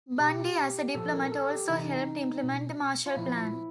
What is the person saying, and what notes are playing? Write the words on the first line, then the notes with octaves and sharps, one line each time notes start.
Bundy as a diplomat also helped implement the Marshall Plan.
B2 G4
A#2 F3 A4
A#4
A4
G4
C3 E3 D#4
B2
F4
A#2 F3 E4